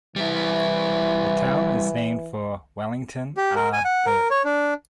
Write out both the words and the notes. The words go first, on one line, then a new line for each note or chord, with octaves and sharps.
The town is named for Wellington R. Burt.
E3 G3 E4
G4
A#4
G#5
F#5
A#4
C#5
D4